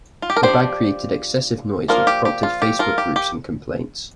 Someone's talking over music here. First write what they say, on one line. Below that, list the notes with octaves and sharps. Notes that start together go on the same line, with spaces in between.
The bag created excessive noise, which prompted Facebook groups and complaints.
F4
G4
A#4
F3 D4 G4 C5
F3 A#3 D4 F4 A#4
G4
G4
F4
G4
F4 A#4
G4
G4